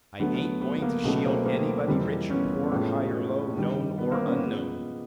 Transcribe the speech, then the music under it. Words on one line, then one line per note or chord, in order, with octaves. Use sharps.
I ain't going to shield anybody, rich or poor, high or low, known or unknown!
D2 D3 F#3 A3 B3
B3
B3
A#3
C#2 B2 F#3 A3 B3
A#3 C4
A#3 C4
F2 C3 E3 G3
B3 C#4
A2 F3 G#3
G2 D#3 G3
B3
A#3 C4
B3 C#4
A#2 F3 G#3 B3